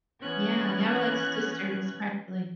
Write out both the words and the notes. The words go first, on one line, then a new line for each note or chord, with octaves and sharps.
Yeah, yeah, we're like sisters, practically.
E3 B3 C#4 F#6 G#6